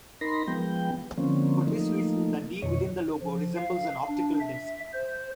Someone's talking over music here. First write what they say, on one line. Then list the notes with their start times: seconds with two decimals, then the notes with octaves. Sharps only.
For this reason the "D" within the logo resembles an optical disc.
0.21 D#4 A#4 B5 C6 A#6
0.48 F3 G#3 B3 G5
1.17 D3 F3 A#3 C4 C#4
1.67 F3 A3 A#3 D#4
2.62 F2 B2 D#3 C#5
3.22 F3
3.57 F5
4.08 D4
4.40 E5
4.93 C5